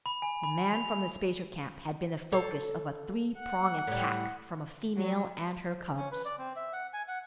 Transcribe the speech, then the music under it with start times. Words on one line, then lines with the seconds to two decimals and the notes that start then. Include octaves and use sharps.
The man from the spacer camp had been the focus of a three-prong attack from a female and her cubs.
0.06 B5
0.22 G#5
0.44 B5
0.72 F7
2.32 A4 C5 C#5
3.38 F#5
3.87 A2 G3
4.95 F#3
5.97 C#4
6.12 B4
6.25 D5
6.38 C4
6.56 E5
6.73 F#5
6.93 G#5
7.08 F#5